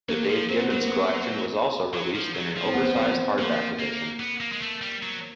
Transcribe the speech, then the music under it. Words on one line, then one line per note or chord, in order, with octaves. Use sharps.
The Dave Gibbons Collection was also released in an oversized hardback edition.
F#3 A#3
F3
F#3 C4
B3
F#3 A#3
B3
F#3
F3
F#3
F3
C4
B3
C4
B3
F3 A#3
A#3
B3
A#3
G#3
A3
G3
F#3